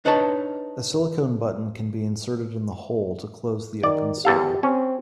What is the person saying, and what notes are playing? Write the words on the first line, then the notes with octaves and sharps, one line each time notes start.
A silicone button can be inserted in the hole to close the open sore.
D4 D#4 B4 C#5 A5
D#3 D5
E2 G4 A4 F5
C4 C#4